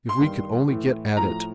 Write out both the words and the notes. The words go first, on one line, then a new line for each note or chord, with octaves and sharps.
If we could only get at it!
C6
G2 D#3
A2 E3
A2 F3 A#5